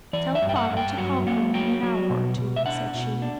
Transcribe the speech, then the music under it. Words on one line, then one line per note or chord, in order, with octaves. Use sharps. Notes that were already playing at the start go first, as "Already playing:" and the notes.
"Tell Father to call for me in an hour or two," said she.
E3 D5
E5
G2
G5
F#5
G2
G5
F#3 F#5
A#3 F#5
F#3 G5
F#3
B2
B2
E5
D4 F#5
B2
D4